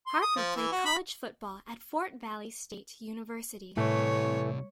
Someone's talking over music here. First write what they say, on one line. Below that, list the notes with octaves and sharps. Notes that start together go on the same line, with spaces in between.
Harper played college football at Fort Valley State University.
C6
D#6
F3
E3
F#4
B5
C2 A2 E3 A3 C#5